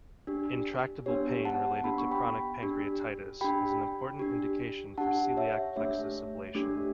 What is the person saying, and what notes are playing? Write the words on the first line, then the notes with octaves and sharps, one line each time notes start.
Intractable pain related to chronic pancreatitis is an important indication for celiac plexus ablation.
D4 G4
B3 D4 G4 C#5
F#5 A5
B3 D4 G4 B5
C#6
G5 B5
D4 G4
D4 G4 G5 B5
D4 G4
D4 G4 F#5 A5
C#5 E5
A3 D4 G4 C#5 E5
A3 D4 G4